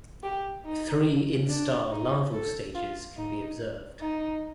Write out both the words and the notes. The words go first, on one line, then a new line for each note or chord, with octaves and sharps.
Three instar larval stages can be observed.
G4
D#4
D4
D#4
A4
F4
D#4
D#4